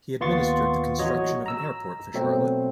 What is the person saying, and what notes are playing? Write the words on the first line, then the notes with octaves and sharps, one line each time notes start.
He administered the construction of an airport for Charlotte.
D#2 B3 F4 C6 C#6 A6
A1 F#3 F#4 C#5 D#5
A#5 E6
B2 F#3 A3 C4